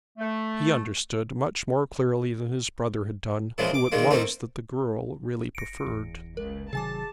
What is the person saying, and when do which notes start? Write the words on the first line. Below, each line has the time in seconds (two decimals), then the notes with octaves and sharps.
He understood much more clearly than his brother had done who it was that the girl really preferred.
0.18 A3
3.58 A#2 C#3 E3 F3 G#3
3.74 D6
3.92 A#2 D#3 G#3 A#3
4.10 A3 A#3 C4 D#4
5.55 F#1 A#6 C#7 D7
5.86 F#1 E2
6.37 C#2 A#4
6.73 C3 D#3 F#3 G#4 G#5 A5 D6